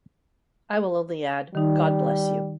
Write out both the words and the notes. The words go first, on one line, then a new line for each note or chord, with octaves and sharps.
I will only add, God bless you.
D#3 G3 D#4